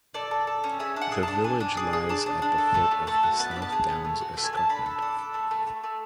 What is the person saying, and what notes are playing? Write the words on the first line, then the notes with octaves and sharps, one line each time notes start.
The village lies at the foot of the South Downs escarpment.
A4 D5
A4
A4
C#4
G#4 E5
D4
F#5
G#4
D4 A5
D4 G#5
D4
G#4
G#4
D4 A5
D4
D4
A4
A3 A5
A3
A3 A5
F#4
B3 A5
D4 B5
A5
G#4
B3
A3
F#4
A3
G#5
A3 A5
D4 B5
A4
D4
A4
A3
A3
A3
A3